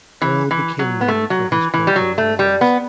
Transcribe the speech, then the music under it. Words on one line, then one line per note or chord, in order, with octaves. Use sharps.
Earle became known for his work on the railways.
E3
E3
F#3
B3
A3
F#3
E3
E3
G3
F#3
A3
G3
B3